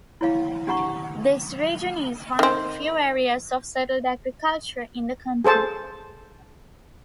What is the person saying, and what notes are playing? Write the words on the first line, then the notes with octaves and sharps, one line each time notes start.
This region is one of the few areas of settled agriculture in the country.
E4 C#5 F5
D4 G4 F#5 A#5 C#6
D#3 C4
G#4 A4 C5 A5